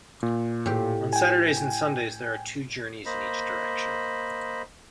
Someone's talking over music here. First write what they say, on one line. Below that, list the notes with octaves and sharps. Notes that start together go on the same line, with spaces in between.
On Saturdays and Sundays there are two journeys in each direction.
A#2
A2 G4
G5 G#5
A#3 C5 D#5 B5